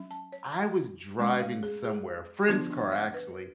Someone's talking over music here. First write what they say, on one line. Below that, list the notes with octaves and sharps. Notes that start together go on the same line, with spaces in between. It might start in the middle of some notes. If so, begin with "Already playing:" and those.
I was driving somewhere, a friend's car actually,
Already playing: F#3 C#4
A5
C#5
G#3 C#4 D5
F5
G#4
G#4
D3 F3 B3 D4 F4
D4
C#5
B4